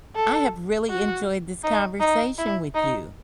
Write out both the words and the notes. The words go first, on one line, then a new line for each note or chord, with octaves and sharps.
I have really enjoyed this conversation with you.
A4
F#4
D#4
D#4
E4
D#4